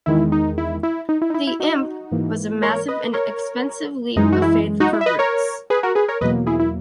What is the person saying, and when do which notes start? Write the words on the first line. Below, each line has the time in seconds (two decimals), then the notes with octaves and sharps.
The Imp was a massive and expensive leap of faith for Rootes.
0.06 E2 D#3 G#3 E4
0.32 D#4
0.58 E4
0.83 E4
1.09 D#4
1.22 E4
1.30 D#4
1.34 E4
1.47 E4
1.60 D#4 F#4
2.11 G#2 E3 A#3
2.62 A#4 C#5
2.88 B4 D#5
3.14 A#4 C#5
4.16 F#2 E3 G#3 D#4
4.32 F#4
4.42 E4
4.80 D#4 F#4
4.93 E4
5.01 E5
5.06 B4 D#5
5.19 A#4 C#5
5.70 G#4 B4
5.83 F#4 A#4
5.95 G#4 B4
6.08 A#4 C#5
6.21 E2 B2 F#3 A#3 B4 D#5
6.47 E4 G#4
6.59 E4